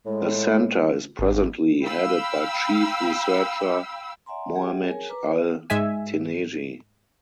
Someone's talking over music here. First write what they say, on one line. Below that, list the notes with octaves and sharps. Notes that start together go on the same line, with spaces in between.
The centre is presently headed by chief researcher Mohamed Al Teneiji.
A2 G#3
G#1
F5 G5 B5 E6
D5 E5 F#5 G#5 A#5 C6
G4 G#4 C#5 E5 F#5 G5
G#4 A#4 C#5 G#5
B4 A#5 D6
B4 C5 E5
G#2 G#3 E5 G#5